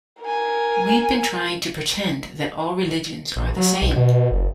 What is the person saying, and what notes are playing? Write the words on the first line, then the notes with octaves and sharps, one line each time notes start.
We've been trying to pretend that all religions are the same.
A#4 G#5
A#1
F#3
B1
B2
F#1